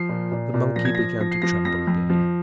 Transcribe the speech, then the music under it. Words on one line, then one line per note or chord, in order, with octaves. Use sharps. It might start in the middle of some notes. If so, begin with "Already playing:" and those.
The monkey began to tremble again.
Already playing: F3 C7
A#2
A#2
A#2
F3 A#6
G#6
F3 A#6
F3 A#6
C7
F3 A#6
F2 A#6
F2
F3